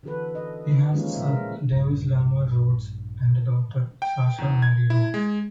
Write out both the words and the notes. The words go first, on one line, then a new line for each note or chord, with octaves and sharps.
He has a son, Davis Lamar Rhodes, and a daughter, Sasha Marie Rhodes.
D3 E3 F#4 A4 B4
D#5
D#3 F3 G#3 A#3 C#4
A#2 C#3 E5
A#4
A#1 G2
G5
E2
G#6
E4
G#3